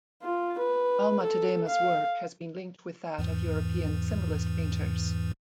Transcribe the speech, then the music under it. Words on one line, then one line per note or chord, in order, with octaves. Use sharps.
Alma-Tadema's work has been linked with that of European Symbolist painters.
F4
B4
A4
F5
E2 G#2 E3